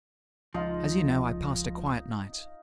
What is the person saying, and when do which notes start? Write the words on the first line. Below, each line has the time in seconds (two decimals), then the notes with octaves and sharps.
As you know, I passed a quiet night.
0.54 C#2 F3 D#4 F4